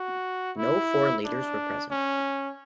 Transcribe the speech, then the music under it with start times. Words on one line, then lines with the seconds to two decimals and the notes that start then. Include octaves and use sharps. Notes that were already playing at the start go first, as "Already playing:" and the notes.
No foreign leaders were present.
Already playing: F#4
0.58 E4
1.25 D4
1.91 C#4